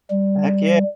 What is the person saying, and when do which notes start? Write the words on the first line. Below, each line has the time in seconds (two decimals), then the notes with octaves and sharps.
heck ye
0.10 G3